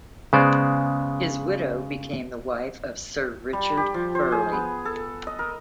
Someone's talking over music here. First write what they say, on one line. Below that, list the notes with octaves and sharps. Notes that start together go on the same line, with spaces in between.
His widow became the wife of Sir Richard Burley.
C#3 G#3 B3 C5 D5
G3
G4
F3
C5
G#4
B3
A4
D#5
A#4